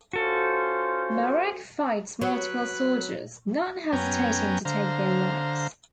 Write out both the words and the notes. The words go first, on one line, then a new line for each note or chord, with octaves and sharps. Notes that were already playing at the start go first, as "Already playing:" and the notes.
Marek fights multiple soldiers, not hesitating to take their lives.
C#4 F4 F#4 A4 C5
F#3 B4
F#2 B3 C#4 G5 G#5 A#5
D3 C5 F5 A#5